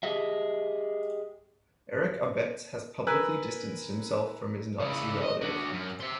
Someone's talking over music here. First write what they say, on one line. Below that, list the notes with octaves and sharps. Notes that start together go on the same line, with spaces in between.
Eric Abetz has publicly distanced himself from his Nazi relative.
G4 G#4 D#5 E5
A#4 B4 G#5 E6 F#6
C#3 E4
D#5
D4 F#4
F#2
C5 E5